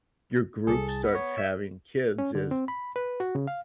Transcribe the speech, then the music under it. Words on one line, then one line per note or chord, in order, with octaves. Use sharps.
your group starts having kids is
C2 G#4 A4
A5
B3
C#5
E5
C#4
D3
C4
B5
B4
F#4
C#3
F5